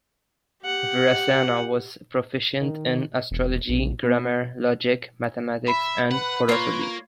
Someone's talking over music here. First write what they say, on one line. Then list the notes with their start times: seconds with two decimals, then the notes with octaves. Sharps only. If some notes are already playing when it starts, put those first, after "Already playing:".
Virasena was proficient in astrology, grammar, logic, mathematics and prosody.
0.63 G4 F#5
2.61 D#3
3.31 E1
3.69 A#1
4.03 B3
5.68 E5 B5
6.11 B4 F#5
6.49 A#3 F4 C#5